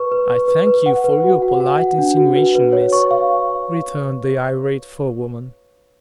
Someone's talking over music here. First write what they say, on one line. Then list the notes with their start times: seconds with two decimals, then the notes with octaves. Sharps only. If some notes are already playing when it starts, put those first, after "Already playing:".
"I thank you for your polite insinuations, miss," returned the irate forewoman.
Already playing: B4 C#6
0.12 B4
0.30 B4
0.48 B4
0.67 B4
0.86 F#5
1.04 B4
1.24 F#4
1.42 F#5
1.60 F#5
1.80 F#5
1.98 D4
2.17 F#4
2.36 B4
2.55 B4
2.73 C#5
2.93 C#6
3.11 F5